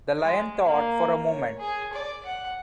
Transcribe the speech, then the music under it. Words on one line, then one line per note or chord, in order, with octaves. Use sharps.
The Lion thought for a moment.
G#3
A#3
C#5
G#4
D5
F#5